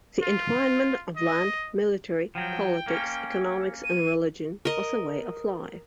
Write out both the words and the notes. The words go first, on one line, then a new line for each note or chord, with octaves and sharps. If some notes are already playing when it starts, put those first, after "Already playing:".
The entwinement of land, military, politics, economics and religion was a way of life.
F4
D#5
F3 F#3 G5
A#3 C#4
D#7
A#4 D#5